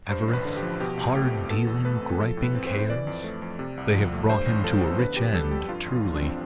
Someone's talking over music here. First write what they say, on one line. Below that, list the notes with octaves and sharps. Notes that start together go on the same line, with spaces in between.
Avarice, hard-dealing, griping cares? They have brought him to a rich end, truly!
G2 C5
A1
B4
D3
G4
F3
B2 G4
C2
A3 G4
C4
B2 A4
E2
A3 B4
C4
F3 A4
A2
B4
C4
C5
A2
C5
E3 D5
F2
A3
F2
C3
C2
F3
A3
G2 C5
A1
F3 A4
B3
D3 B4
F2 G4
G3 A4
F2 G4
G2 F4
A1
F3
D4
C4